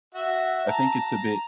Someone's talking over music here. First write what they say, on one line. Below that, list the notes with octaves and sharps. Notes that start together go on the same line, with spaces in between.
I think it's a bit,
F#4 E5
A5 A#5